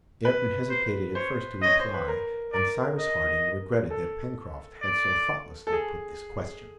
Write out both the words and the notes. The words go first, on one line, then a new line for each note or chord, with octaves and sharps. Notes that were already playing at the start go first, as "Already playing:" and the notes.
Ayrton hesitated at first to reply, and Cyrus Harding regretted that Pencroft had so thoughtlessly put this question.
B4
C5
C5 C#5
C#5 D#5
C5
B4
A#4
A#4 D5
D#5
A4
D5
A4
G#4